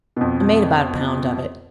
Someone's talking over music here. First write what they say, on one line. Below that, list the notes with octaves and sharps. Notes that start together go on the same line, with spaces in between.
I made about a pound of it.
F2 B2